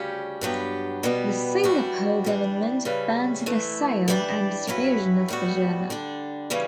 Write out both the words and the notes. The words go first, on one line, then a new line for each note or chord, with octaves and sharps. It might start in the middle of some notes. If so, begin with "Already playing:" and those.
The Singapore government banned the sale and distribution of the journal.
Already playing: D2 C#3 G3 C#4 G4
G2 F#3 B3 D4 G4
B2 G3 B3
F#2 E3 G3 D4 F#4
G2 E3 G3 D4
C#3 G3 C#4 E4 B4
E3 A3 E4
E3 G3 D4 G4 D5
G2 F#3 C#4 E4 B4
A2 G3 B3 F#4
D3 G3 D4
C#3 E3 G3 C#4